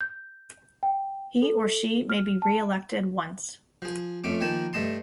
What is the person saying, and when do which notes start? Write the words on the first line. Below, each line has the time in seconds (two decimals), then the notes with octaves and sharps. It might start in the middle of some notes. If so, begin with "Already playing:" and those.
He or she may be reelected once.
0.01 G6
0.83 G5
1.42 A4
2.10 F6
2.42 A5
3.82 F3 G#4
4.24 F2 A3 C#4 D6
4.41 D#3 F3 A#3 G#5 A5
4.73 G2 A3 D#5 A5 C6